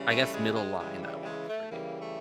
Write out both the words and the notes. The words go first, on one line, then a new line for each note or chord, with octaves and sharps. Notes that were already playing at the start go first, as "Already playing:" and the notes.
I guess, middle line that works for you.
Already playing: C#3 E3 G3
A3
G#3
G#3
C#3 E3 G3 G#3
G3
G3
G#3
A3
C#3 E3 G3 A#3
A3